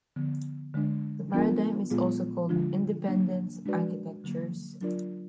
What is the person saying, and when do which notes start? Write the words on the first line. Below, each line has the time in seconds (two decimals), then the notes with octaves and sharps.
This paradigm is also called "Independence" architectures.
0.16 D3 F3 B3
0.74 D3 G#3 D4
1.33 F3 B3 D4 F4 A#4
1.91 A#2 G#3 B3 F4 G#4
2.49 D3 F3 G#3 D4 F4
3.07 F#3 A#3 D4
3.66 G#3 D4 F#4 B4 D5
4.24 D3 F#3 A#3
4.81 F#3 D4 F4 A#4 D5